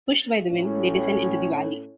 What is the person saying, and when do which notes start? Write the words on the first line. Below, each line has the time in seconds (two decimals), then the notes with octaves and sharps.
Pushed by the wind, they descend into the valley.
0.50 A2 C#4